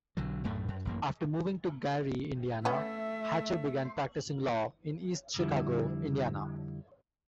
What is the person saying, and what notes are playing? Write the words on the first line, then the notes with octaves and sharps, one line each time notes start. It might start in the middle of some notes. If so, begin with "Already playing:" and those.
After moving to Gary, Indiana, Hatcher began practicing law in East Chicago, Indiana.
B1 D3 F#3
B1 F#2 A2 A3
F#2
A1 F#2 A#3
A3 B3 C#4 E5
F2 D3 F3 G3 E4